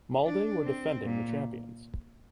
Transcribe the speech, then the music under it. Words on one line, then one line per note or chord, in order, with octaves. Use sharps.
Molde were the defending champions.
D4
C4
A#2